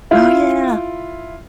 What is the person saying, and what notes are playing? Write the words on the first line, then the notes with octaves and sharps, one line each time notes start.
Oh yeah.
E4 F4